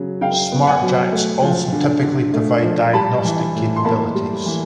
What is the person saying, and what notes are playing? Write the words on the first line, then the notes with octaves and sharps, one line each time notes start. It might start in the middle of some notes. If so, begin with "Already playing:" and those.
Smartjacks also typically provide diagnostic capabilities.
Already playing: C#3 F#3
C#3 F5 G5
B3
F#5 G#5
F#3
A3
F3
D3
D3
A3
F3
G3 A5 B5
E3
A2
C6
A#3 A5 B5
G3
E3